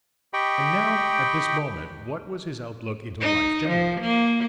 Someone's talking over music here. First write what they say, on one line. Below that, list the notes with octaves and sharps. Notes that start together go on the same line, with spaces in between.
And now, at this moment, what was his outlook into life generally?
G4 D#5 G5 B5 C#6
D#4
F3
A#3